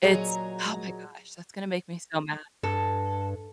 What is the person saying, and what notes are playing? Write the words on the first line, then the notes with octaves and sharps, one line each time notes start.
It's oh my gosh, that's gonna make me so mad.
A#2 F#3 G#4 C#5 D#5 A#5
G2 A4